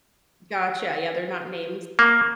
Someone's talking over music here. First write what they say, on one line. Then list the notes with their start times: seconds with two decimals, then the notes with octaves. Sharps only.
Gotcha. Yeah, they're not names,
1.99 A#3